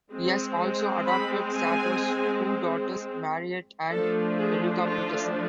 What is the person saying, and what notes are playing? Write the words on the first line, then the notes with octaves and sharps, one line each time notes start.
He has also adopted Sato's two daughters, Marriett and Erika Peterson.
G#3 C4
B5
G#5
F3 A3 D4 A4
G#4
F4